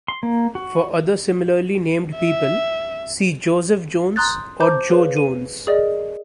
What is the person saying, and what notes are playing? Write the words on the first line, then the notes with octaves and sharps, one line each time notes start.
"For other similarly named people, see Joseph Jones or Joe Jones".
C6
A#3
F#4
E5
A#5 C6 D#6 F#6 G6 A6
C5 A5 A#5 D6 G6
G#4 B4 C#5 F5
D#7
G#4 A#4 D5 D#5